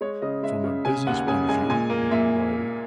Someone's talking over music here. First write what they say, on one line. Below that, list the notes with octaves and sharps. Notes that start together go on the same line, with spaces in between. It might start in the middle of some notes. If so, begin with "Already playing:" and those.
"From a business point of view----" I began dryly.
G#3 C#5
C#3 D#5
G#3 E5
C#3
C#3 G#5
D#2 F#5
C#3 G#5
G#3 G#5
A#2 G#5
A#3
A#2 E5